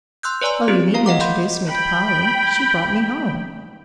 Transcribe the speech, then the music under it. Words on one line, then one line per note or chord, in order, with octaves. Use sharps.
"Oh, you needn't introduce me to Polly--she brought me home!"
C6 E6 F#6 G6
B4 C#5 D5 G#5 A#5 C6
B3 C4 F4 G4 G#4
A#4 F5 A#5
D#5 F5 F#5 D6
F5 F#5 B5 C6 G6
G5 B5